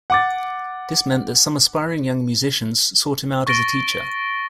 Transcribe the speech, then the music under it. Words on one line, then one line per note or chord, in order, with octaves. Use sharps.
This meant that some aspiring young musicians sought him out as a teacher.
F#5 D6 A6
C#6 A6 A#6 D7 G7